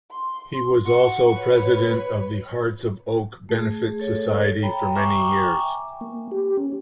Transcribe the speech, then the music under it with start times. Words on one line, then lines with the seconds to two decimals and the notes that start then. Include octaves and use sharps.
He was also president of the Hearts of Oak Benefit Society for many years.
0.11 C6
0.86 F#4 C#6
1.33 B4 C#5
3.49 A3 G#4
4.00 A4 C#5
4.63 C#5 G5 A#5 B5
4.95 E5 G5 G#5 A#5 C#6 D6
6.01 A#3
6.32 G4
6.57 C#4